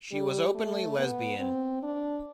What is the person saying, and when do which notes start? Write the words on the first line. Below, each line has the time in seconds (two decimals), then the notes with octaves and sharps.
She was openly lesbian.
0.12 G3
0.55 A3
0.97 B3
1.39 C4
1.83 D4